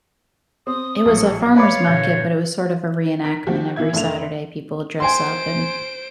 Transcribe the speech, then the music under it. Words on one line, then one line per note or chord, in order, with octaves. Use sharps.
it was a farmer's market, but it was sort of a reenactment. Every Saturday, people would dress up and
C4 D#6
A#1 A2 F#3
B4 C#5 D5 F5 B5 D6
A#2 D3 F#6 G6 A6
A#4 B6 D7
F3 F#4 G4
D#3 E3 A#3 E5 G#6
F1 A3 D4 E5 F7
C5 G#5 C6 D7